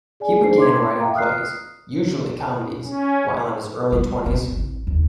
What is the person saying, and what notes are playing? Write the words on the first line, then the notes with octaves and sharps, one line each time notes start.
He began writing plays, usually comedies, while in his early twenties.
G#4 D5 G#5
D4 D#4 G#4 C5 C7
C6 D6 G#6
E5 F5 G5 A#5
D#6 F6 F#6 C7
C#4
G3
C4
A1
D#2